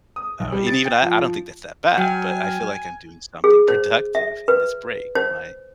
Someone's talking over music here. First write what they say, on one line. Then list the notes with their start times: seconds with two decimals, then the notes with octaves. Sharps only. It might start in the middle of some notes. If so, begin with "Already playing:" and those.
uh, even I I don't think that's that bad, but I feel like I'm doing something productive in this break when I
0.16 D#6
0.40 B1
0.52 G3
0.67 A6
0.85 G5
1.02 F3
1.97 F#3 G5 G#5 F6
3.44 G#4
3.68 C5
4.15 E5
4.48 B4
5.15 C5